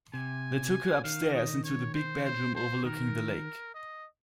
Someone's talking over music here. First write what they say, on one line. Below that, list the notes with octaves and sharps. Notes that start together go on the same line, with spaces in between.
They took her upstairs into the big bedroom overlooking the lake.
C3 G#5
D#3 F5
D#5
C#5
C5
C5
C5
D#3 A#4
D#5